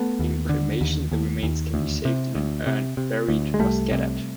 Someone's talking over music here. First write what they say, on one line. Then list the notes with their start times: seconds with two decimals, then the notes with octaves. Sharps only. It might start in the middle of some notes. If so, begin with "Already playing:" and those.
In cremation, the remains can be saved in an urn, buried, or scattered.
Already playing: A3 B3
0.19 D#2
0.49 D3
0.81 D#2
1.12 D#2
1.43 D#2
1.74 D2
2.05 C3
2.35 D2
2.67 C3
2.97 C3
3.29 D2
3.54 G#3
3.59 C2 G3 A3
3.91 C3